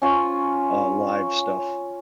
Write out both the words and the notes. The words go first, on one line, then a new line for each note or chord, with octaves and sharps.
uh, live stuff.
C#4 F4 C#5